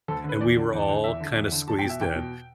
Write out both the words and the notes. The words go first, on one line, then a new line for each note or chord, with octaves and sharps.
and we were all, kinda squeezed in,
D2 A4
D3
B4
E2 D5
D3
E2
D3
E2 E5
D3
E2
D3
E2 A5
G5
B2
E5
E2 G5
B2